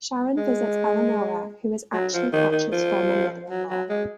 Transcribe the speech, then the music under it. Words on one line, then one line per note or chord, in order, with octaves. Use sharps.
Sharon visits Elanora who is actually Catch's former mother-in-law.
G#3
F#3
F3
D#3
D#3
F3
F#3
F#3
G#3